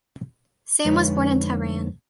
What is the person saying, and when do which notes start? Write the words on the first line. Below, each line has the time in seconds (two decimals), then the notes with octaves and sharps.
Sam was born in Tehran.
0.85 F2 D3 G#3 D#4 B4 C#5